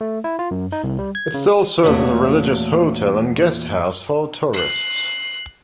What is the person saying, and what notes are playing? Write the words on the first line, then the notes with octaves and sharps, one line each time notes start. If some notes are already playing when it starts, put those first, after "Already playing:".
It still serves as a religious hotel and guest house for tourists.
A3
E4
F4
F#2
D#4
C2
G3
G#6
C#3
E2 A#2 A3 F#4 C#5 E5
F#6 C7